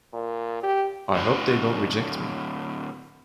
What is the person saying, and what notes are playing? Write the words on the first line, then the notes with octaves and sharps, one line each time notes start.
I hope they don’t reject me.
A#2
G4
A2 D3 F#4